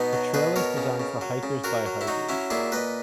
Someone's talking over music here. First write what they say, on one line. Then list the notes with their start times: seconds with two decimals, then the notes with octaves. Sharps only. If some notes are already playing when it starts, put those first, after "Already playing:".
The trail is designed for hikers by hikers.
Already playing: B2 B3 D#4
0.13 F#3
0.34 B2 G#4 B4
0.56 B2 A#4 C#5
0.77 C#3
1.00 C#3
1.21 F#3
1.43 C#3
1.64 F#3 F#4 A#4
1.86 F#3
2.01 E4
2.07 F#3 D#4 F#4
2.29 F#3 C#4 E4
2.50 A#2 E4 G#4
2.72 A#2 B4 D#5